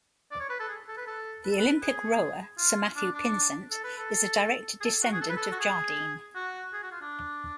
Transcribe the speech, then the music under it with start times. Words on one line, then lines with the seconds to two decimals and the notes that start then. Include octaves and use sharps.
The Olympic rower Sir Matthew Pinsent is a direct descendant of Jardine.
0.31 D5
0.40 C#5
0.50 B4
0.60 A4
0.68 G#4
0.88 A4
0.97 B4
1.07 A4
1.44 B4
1.52 A4
1.59 B4
1.82 G#4
2.58 F4
2.96 D4
3.14 D4
3.71 A4
3.84 B4
3.98 A4
4.81 G#4
4.84 A4
5.03 F#4
5.13 G#4
5.22 A4
5.29 B4
5.37 A4
5.52 F#4
5.59 G#4
6.36 F#4
6.73 G#4
6.83 F#4
6.92 F4
7.01 D4